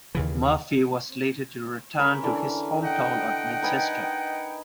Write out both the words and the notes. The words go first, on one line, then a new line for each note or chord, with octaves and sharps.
Murphy was later to return to his hometown of Manchester.
D#2 C#3 E3
C#4 A#4 B5
D3 E3
D#5 F#5 G5
D#4 B4 G#5